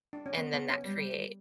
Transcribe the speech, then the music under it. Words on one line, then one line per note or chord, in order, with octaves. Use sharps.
and then that create
D4
C#4
B3
B3
C#4
G3